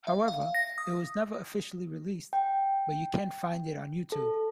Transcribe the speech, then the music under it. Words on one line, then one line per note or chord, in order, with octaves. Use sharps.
However, it was never officially released, but you can find it on youtube.
E5
F5
F5
A#6
D#6
G5
A4